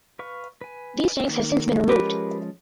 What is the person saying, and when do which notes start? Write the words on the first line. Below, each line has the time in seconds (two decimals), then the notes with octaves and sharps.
These tanks have since been removed.
0.19 B4 F5 C#6
0.61 B4 G#5
1.29 D#3 A#3
1.89 F3 G#3 C#4 G4 A#4 B4